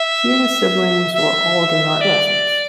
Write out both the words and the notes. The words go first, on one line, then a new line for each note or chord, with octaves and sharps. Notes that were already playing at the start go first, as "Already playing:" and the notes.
He and his siblings were all given art lessons.
Already playing: E5
E5
D5